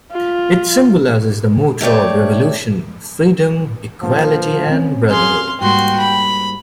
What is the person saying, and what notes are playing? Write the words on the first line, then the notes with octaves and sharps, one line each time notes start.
It symbolizes the motto of the Revolution: "Freedom", "Equality" and "Brotherhood".
F4
A3 G4 C#5 D5
D3 F3 A#3 B3
C4 C#4
G#4 F5 C6
G#2 G3 A#3 F#4 G5 C6
B5